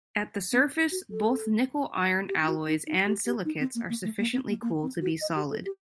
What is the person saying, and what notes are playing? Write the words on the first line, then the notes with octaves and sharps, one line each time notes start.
At the surface both nickel-iron alloys and silicates are sufficiently cool to be solid.
C4
F#4
A4
G4
D#4
F#4
D#4
D#4
G4
G4
D#4
C4
A#3
A#3
A3
A#3
C4
A#3
A#3
C4
F#4
D#5
G4
A4
G4